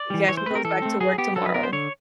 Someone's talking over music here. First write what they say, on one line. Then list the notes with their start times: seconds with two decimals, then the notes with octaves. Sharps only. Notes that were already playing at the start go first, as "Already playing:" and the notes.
Yeah, she goes back to work tomorrow.
Already playing: D5
0.10 E3 G3
0.29 E3 C#5
0.37 C5
0.46 A3 B4
0.51 C4 A#4
0.65 E3 A4
0.82 A3 C4
1.00 F#3 G#4
1.18 B3 G4
1.36 F#3 A4
1.46 B4
1.54 B3 A#4
1.63 C5
1.73 D3 C#5